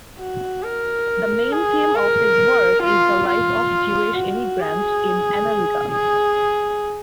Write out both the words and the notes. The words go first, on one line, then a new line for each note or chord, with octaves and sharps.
The main theme of his work is the life of Jewish emigrants in America.
F#4
A#4
G#4
A#4
F4
F4
F#4
G#4
G#4